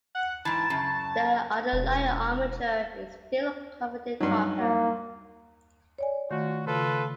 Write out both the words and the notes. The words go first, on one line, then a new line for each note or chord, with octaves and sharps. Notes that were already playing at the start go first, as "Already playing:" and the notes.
The underlying armature is steel covered in copper.
F#5
G#2 E3 A5
F#2 C#3
E1
G2 F#3 D#4
A#3
C#5 D5 G#5
D#3 A3 F4 F#4
C#3 F4 A4 B4